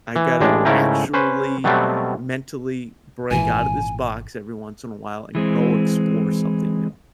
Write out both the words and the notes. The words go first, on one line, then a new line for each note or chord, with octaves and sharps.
I gotta actually mentally break out of this box every once in a while and go explore something new."
E3
A1 A2 G#3 D4
G#2 C#3 A3 E4 A#4 G5
C#4 B4 C5
B2 F#3 G3 A3 B3 C4
G#1 A#2 E3 G#5
E3 G#3 C4